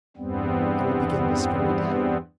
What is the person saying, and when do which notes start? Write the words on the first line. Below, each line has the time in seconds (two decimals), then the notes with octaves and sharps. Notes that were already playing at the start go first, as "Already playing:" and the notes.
I will begin this very day.
0.17 E2 G2 G3 B3 C4